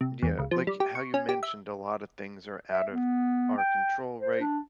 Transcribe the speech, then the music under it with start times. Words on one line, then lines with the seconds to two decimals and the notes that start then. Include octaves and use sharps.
Yeah, like, how you mentioned a lotta things are out of our control, right?
0.01 C3
0.22 E2
0.39 C#2
0.51 F3
0.67 G3
0.80 G4
0.95 C#6
1.14 C#4
1.29 G4
1.43 E5
2.71 E5
2.90 B3
3.57 G5
4.21 C5
4.40 D4